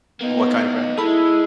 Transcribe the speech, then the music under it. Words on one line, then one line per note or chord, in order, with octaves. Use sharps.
what kind of writer?
A#3 B3 D#4
G#3 E4 A4 B5